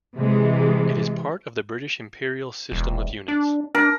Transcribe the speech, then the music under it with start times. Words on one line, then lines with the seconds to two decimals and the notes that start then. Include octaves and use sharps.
It is part of the British Imperial system of units.
0.16 C3 E3 G#3
2.72 E1
3.28 D4
3.75 D4 A#4